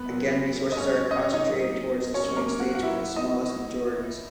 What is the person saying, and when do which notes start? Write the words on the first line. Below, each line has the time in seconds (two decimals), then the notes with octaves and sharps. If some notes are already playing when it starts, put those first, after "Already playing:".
Again, resources are concentrated towards the swing states with the smallest majorities.
Already playing: B3 B4
0.08 A#2 F#3
0.72 D#5
0.77 G#2 F#3 C#4 C#5
1.11 D#5
1.22 C#5
1.33 D#4 D#5
1.46 A#2 F#3
2.14 A#2 F#3 C#4 C#5
2.36 A#3 A#4
2.60 F#4 F#5
2.75 F#5
2.83 A#2 F#3 E4 E5
3.16 D#4 D#5